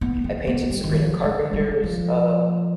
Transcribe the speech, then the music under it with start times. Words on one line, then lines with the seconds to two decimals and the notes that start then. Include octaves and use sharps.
I painted Sabrina Carpenter's, um,
0.01 B3
0.24 C4
0.47 B3
0.70 G3
0.84 D#3
0.93 F3
1.23 G#3
1.53 G3
1.83 F3